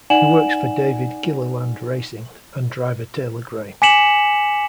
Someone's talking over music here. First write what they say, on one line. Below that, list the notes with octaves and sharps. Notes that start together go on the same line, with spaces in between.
He works for David Gilliland Racing and driver Taylor Gray.
D#4 D5 F#5 G#5 E7 F#7
G#5 D6 B6 C#7 E7 F#7